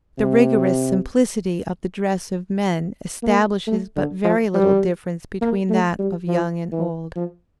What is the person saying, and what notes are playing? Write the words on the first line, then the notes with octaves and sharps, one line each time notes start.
The rigorous simplicity of the dress of men establishes but very little difference between that of young and old.
C3
A#3
A3
D3
F3
G3
A#3
A3
G3
F3
E3
F3